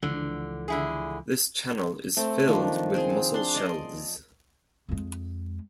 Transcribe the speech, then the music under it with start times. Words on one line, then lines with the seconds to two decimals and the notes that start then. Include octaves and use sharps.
This channel is filled with mussel shells.
0.03 C#2 D3 E3 F3
0.68 D3 E4 G#4
2.17 A3 C4
2.47 D#3 F3 D4
2.95 C4 G#4
3.34 D4 C6
3.55 D5 D#5 C6
4.89 F2 G#3